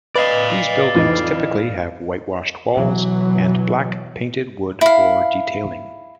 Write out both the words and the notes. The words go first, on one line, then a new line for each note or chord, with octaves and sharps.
These buildings typically have whitewashed walls, and black painted wood or detailing.
B4 D5 D#5 F5
F2 E3 D#4
B2 E3 F#3
E4 F5